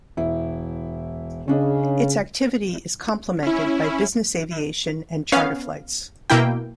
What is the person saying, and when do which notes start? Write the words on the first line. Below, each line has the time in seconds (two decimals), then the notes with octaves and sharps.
Its activity is complemented by business aviation and charter flights.
0.17 E1 E4
1.48 C#3 C#4 D4 D#5
3.43 C#4 E4
5.32 B3 C#4 F5
6.30 B2 A#3 E4 G5